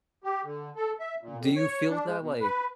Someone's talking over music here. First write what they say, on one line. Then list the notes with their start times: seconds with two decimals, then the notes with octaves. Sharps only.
Do you feel that, like,
0.24 G4
0.43 D3
0.76 A4
0.99 E5
1.22 A#2
1.39 F2
1.56 C#5
1.89 D4
2.05 G#3
2.20 B2
2.40 B4